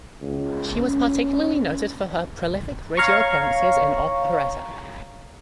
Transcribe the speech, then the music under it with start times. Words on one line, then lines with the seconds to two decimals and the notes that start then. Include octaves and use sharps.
She was particularly noted for her prolific radio appearances in operetta.
0.21 C#2
0.80 C#4
2.97 C#5 F5 A#5 C#6